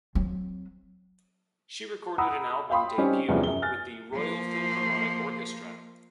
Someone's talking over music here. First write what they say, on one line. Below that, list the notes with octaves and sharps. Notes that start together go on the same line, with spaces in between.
She recorded an album "Debut" with the Royal Philharmonic Orchestra.
F#3 C4
F#5 A#5 B5 D#6 E6
F5 G5 B5 C6 D#6
G3 C4 C#4 D#4 G4
E2 C3 F3 G3 C#4
F#2 G7
G#5 F6 F#6 A6
F3 A#3